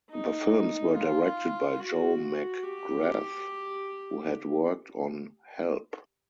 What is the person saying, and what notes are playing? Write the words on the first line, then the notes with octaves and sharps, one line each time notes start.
The films were directed by Joe McGrath, who had worked on Help!
D#4
F4
F#4
G4